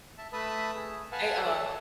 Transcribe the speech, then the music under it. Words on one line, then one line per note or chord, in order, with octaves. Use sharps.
They are.
E5 A5
A3 B4 E5 A5 B5 D#6
G#4
B4 F5 F#5 G#5 A5
A4 C#5 D5 A5